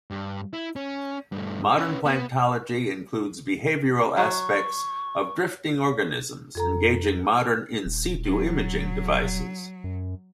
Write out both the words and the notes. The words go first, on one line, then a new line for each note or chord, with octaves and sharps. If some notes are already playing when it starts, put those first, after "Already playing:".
Modern planktology includes behavioral aspects of drifting organisms, engaging modern "in situ" imaging devices.
G2
E4
C#4
G2 A3
C#4 B4
B3
F#3 C#6
F2 A4 A#5
D#1
F#3
F#2